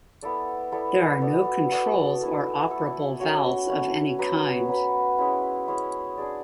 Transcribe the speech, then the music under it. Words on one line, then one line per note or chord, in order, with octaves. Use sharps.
There are no controls or operable valves of any kind.
B3 E4 A4 D5
B3 E4 A4 D5
B3 F#4 A4 D5
B3 F#4 A4 D5
A3 E4 A4
A3 E4 A4
A3 C#4 F#4 C#5
A3 C#4 F#4 C#5
F#3 B3 F#4 B4
F#3 B3 F#4 B4
G#3 C#4 E4
G#3 C#4 E4
D4 G#4 D5